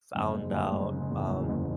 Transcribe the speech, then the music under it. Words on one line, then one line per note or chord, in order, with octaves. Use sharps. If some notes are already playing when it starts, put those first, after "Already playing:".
found out, um,
F#1
G#3
F#1
G#3
C#3
E2
E2
F#1